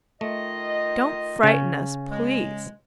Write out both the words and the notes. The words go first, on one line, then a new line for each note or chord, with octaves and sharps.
Don't frighten us, please.
D#3 A3 F4 D#5
C#3 C#4
G#3